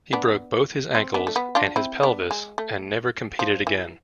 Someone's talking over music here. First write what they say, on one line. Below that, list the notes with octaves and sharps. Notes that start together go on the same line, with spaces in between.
He broke both his ankles and his pelvis, and never competed again.
B3 D4
C4
B3 D4
A3
B3
D4 F4
C4 E4
B3 D4
G#3
A3
F3
E3